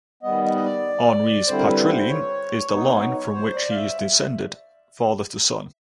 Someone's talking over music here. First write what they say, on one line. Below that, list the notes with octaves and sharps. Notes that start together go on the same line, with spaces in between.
Henri's patriline is the line from which he is descended father to son.
D#3 G3 B3 D#5
D#5
D#5
D5
D3 G3 C4 E4 C5
A#4
B4
C5
C#5
B2 F#3 B3 D#4
C5
D5
F5
E5